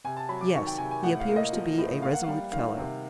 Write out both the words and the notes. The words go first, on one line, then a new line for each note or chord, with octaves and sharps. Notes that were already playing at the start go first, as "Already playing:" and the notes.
"Yes; he appears to be a resolute fellow."
C3 G#5
A5
F#3 B5
D6
D#3 C#6
G5
C3 G#5
G#5
A2 F#5
F5
A#3
D#5
F3
A2
A#3 F5
F#5
G3 F5
D#3 F5
C3